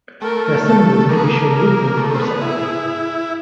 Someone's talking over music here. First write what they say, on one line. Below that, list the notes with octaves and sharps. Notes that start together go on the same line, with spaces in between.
Their symbols may be shown with them, or separately.
A3 A#4
A4
A#3 G#4
B3
A#3
A#4
A3 G#4
C4
B3
E4